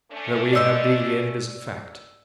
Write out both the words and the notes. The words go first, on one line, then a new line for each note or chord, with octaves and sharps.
That we have deviated is a fact.
A3 C#4 D4
B2 C5 D5 D#5 E6